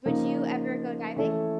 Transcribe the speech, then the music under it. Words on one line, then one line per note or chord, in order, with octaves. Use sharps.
Would you ever go diving?
C#3 F3 A#3 D#4
E3 A3 C#4 E4 A4